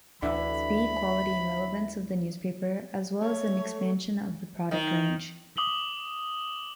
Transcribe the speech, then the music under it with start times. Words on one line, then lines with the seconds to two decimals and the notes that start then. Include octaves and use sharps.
Speed, quality and relevance of the newspaper, as well as an expansion of the product range.
0.22 D2 D3 E3 E4 E5 B5
3.21 A3 C#5
4.71 D#3
5.57 D6 D#6 F#7 G7